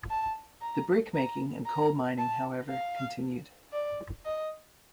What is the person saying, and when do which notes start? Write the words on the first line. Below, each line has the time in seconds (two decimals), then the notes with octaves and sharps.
The brick making and coal mining, however, continued.
0.10 A5
0.62 A#5
1.14 A#5
1.66 A#5
2.18 A5
2.69 F5
3.73 D5
4.25 D#5